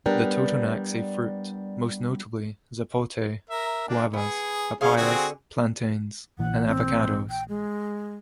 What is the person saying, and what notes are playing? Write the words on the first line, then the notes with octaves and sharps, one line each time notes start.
The Totonacs ate fruit, most notably zapotes, guavas, papayas, plantains and avocados.
G3 B3 D4 A#4 G5
A#4 E5
A#3 D4
B3 G#4
B3 C#4 G#4 F5
D3 C4 F#4 G#4 G#5
A#1 A#2 E3 F#5
C4
G5
G#3